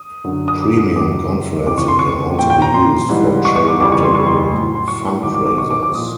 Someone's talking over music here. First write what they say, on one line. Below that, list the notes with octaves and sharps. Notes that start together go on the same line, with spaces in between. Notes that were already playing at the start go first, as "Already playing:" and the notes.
Premium conferencing can also be used for charitable fundraisers.
Already playing: D#6
F#2 D3 F#3
D#6
D6
D#6
F#2 C#3 F#3 D6
F2 C3 E3 D6
C#6
C6
C#6
A#2 F3 G5
G5
A#5
C6
G#2 E3 G3
C#6
C#6
D6
F2 C#3 E3 G3 D6
C#6
C6
C#6
C6
A2 F#3
C6
C#6
G#2 D#3 F#3 D6
D6
D6
C#6
D6
D6
A#2 F3 D#6